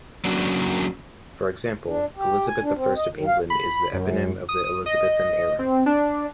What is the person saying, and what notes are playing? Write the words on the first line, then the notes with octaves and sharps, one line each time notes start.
For example, Elizabeth the First of England is the eponym of the Elizabethan era.
F#3 A#3 C#4 D4 F#4
D4
G4
G#5
D4
C4
D#5
D#3
F5
B5
F#2
D#6
D#5
C4
D4